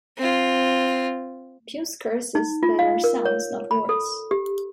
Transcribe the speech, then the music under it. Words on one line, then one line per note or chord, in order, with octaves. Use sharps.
Puce curses that are sounds not words.
C4 F4
D#4
F4
F5
A#4
C#5
B5
A4
G4